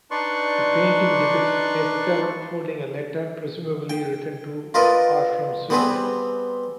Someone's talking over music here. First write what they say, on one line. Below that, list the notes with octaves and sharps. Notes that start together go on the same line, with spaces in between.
The painting depicts Esther holding a letter, presumably written to or from Swift.
D4 D#4 B4 D5 C6 C#6
G5
F4 A#4 B4 D5 D#5
G3 B3 C4 G#4 B4